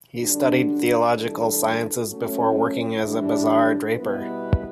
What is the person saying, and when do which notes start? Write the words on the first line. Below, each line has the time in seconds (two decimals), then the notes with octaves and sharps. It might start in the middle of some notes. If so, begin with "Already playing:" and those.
He studied theological sciences before working as a bazaar draper.
0.19 F#2 D3 G3 D4
1.14 E3 G3 D4 A4
2.07 F#3 A3 C#4
3.02 A2 E3 G3 D4
3.96 B2 G3 B3 E4 B4